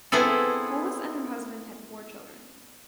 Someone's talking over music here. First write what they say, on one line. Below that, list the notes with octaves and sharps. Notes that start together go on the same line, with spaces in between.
Polis and her husband had four children.
B3 C4 E4 G#4 A4